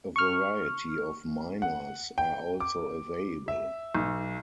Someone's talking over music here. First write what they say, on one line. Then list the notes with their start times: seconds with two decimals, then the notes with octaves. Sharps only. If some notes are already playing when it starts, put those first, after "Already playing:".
A variety of minors are also available.
0.16 C#6 F6
1.62 F#5
2.18 G5
2.60 D6
3.48 E5
3.95 B1